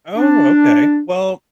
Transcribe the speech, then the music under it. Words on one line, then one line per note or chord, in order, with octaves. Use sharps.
Oh, okay, well,
D4